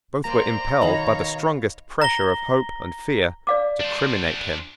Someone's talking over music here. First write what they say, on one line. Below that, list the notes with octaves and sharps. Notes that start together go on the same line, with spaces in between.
Both were impelled by the strongest pressure of hope end fear to criminate him.
A#3 C5 D5 A#5 C6
B2 D#3 D#4 C#5 D#5 F5 B5
A#5 A#6 G7
D5 F5 D6
D4 C5